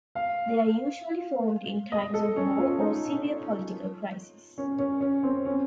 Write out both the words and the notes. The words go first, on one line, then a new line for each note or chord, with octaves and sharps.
They are usually formed in times of war or severe political crisis.
F5
D#5
A4
C#4
F4
D#4
C#4
C#4
C#4
C4
C#4